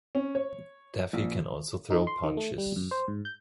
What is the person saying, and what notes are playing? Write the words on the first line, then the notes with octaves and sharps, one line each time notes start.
Daffy can also throw punches.
C#4
C#5
A#1
D#4
C6
D#3
A3
G3
F#2
C5
G#2
G6